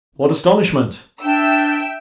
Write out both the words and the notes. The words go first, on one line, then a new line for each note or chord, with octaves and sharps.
What astonishment!
D4 E5 G5 E6